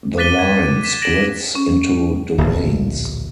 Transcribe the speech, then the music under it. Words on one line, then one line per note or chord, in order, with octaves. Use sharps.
The line splits into domains.
D6 F#6 A6 B6 D#7 G7
G#6
B6 E7
A#6 D7 E7 F#7
C#4
D1 A#1